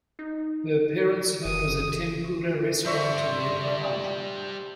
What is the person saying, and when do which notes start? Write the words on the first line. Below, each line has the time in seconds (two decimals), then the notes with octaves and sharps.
Her parents' home is a tempura restaurant in Yokohama.
0.19 D#4
1.45 F#1 D#6
2.85 G3 D4 C5 D5 E5 C#6